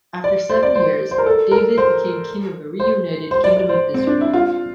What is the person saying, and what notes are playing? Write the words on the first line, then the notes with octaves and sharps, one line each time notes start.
After seven years, David became king of a reunited Kingdom of Israel.
D5
C5
D5
C5
C5
A#4
A4
A#4
C5
C5
C5
D5
D5
C5
C4
D4
E4
F4